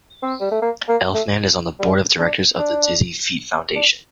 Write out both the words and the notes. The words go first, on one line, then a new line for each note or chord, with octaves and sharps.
Elfman is on the Board of Directors of the Dizzy Feet Foundation.
C4
G3
A3
A#3
A#3
A3
G3
D4
D4
D4